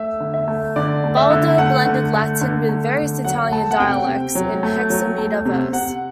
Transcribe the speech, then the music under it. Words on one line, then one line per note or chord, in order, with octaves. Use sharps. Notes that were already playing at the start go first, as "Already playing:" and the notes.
"Baldo" blended Latin with various Italian dialects in hexameter verse.
Already playing: A3 E5
D3
E5
A3
D3 D5
A3
E5
D3
A3 F#5
D3
A3
D3
A3
D3
F#3 F#5
A3 A5
F#5
C3 G5
C3
F#3
A3
F#3
A3
C3
C3 F#5